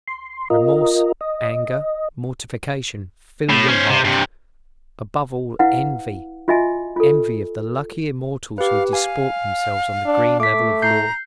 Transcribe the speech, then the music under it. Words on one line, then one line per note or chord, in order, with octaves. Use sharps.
Remorse, anger, mortification, fill your heart; above all, envy--envy of the lucky immortals who disport themselves on the green level of Lord's.
C6
F4 A#4 D#5
D#5
A2
C#4 C5
C3
G2 C3
E4 B4 F5 F#5
F4 F#4 D#5 E5 G#5
F4 A4
G4 B4 F5
F5 G#5
D4
A3 D6 B6
A#5 G6 C7